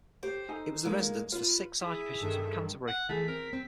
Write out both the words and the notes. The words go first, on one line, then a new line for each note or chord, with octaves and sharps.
It was the residence for six Archbishops of Canterbury.
G4 C5 C#5
D#4 A4 G#5
A#2 G#3 A#3
F4 B4 C5
E4 G#4 E5
G2 D#3 A4
F#5 F#6
E3 A3 G#4 B6
C4 A#4
C4